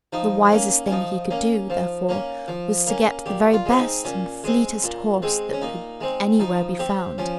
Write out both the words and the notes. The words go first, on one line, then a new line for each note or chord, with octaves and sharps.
The wisest thing he could do, therefore, was to get the very best and fleetest horse that could anywhere be found.
F3 D#4
A#3 C#4
C#4
F3 D#4
A#3 C#4
F3
A#3 C#4
F3
A#3 C#4
A#2 G4
F4
G#3 C4
D#4
A#2 C#4
G#3 C4
A#2
G#3 C4
C#4
A#2 D#4
G#3 C4
F3 D#4
C4 G4
F3 C#4